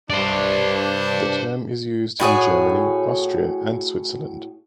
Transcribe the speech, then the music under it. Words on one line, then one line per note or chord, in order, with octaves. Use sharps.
The term is used in Germany, Austria, and Switzerland.
G2 D4 C5 D5
A2 F#4 G#4 C#5